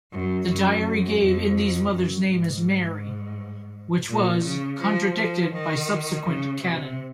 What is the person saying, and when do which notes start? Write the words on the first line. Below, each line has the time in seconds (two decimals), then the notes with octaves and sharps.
The diary gave Indy's mother's name as Mary, which was contradicted by subsequent canon.
0.12 F#2
0.49 F#2
1.20 F2
1.92 F#2
2.29 G#2
4.09 A#2
4.45 C#3
4.81 F3
5.18 F3
5.54 D#3
6.26 C#3
6.62 C3